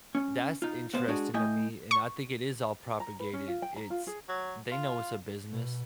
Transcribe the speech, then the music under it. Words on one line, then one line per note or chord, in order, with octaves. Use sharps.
that's interesting to me and I think it is all propagated, it's they know it's a business,
C#4
D#4 F4
B3 C5 F5
G#3 D4 F#4 G#4
A3 E4 D#5 G5 G#5
C#6
A#5
B4
C#4
F4
G5
A#5
F4
G#4
F#3
F4
B2